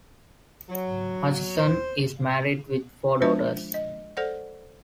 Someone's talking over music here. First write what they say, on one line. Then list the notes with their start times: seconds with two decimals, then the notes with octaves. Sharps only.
Hutchison is married with four daughters.
0.70 F#3
1.58 C5
3.22 F3 G#3 D4 F4 C5 E5
3.74 D#5
4.17 A4 C5 D5 F#5